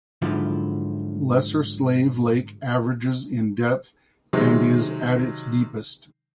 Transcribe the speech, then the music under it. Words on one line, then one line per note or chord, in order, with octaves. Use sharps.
Lesser Slave Lake averages in depth and is at its deepest.
G#2 D3 F3 F#3 E4 F4
C3 D#3 F#3 G#3